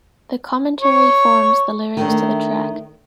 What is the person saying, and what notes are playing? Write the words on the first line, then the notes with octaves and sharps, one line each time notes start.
The commentary forms the lyrics to the track.
C#5
D#3 A3 D4